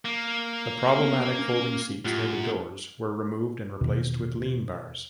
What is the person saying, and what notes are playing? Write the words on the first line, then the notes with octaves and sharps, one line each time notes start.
The problematic folding seats near the doors were removed and replaced with lean bars.
A#3
B3 C#4 C#5
C#4
F#2 A2 F4 G4
E2 B2 D#3